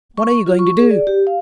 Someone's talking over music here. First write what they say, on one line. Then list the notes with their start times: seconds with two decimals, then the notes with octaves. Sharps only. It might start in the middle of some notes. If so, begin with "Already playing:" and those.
"What are you going to do?"
0.17 C#6
0.46 F4
0.59 C#6
0.78 G#4
0.91 D5
1.07 G4
1.27 F5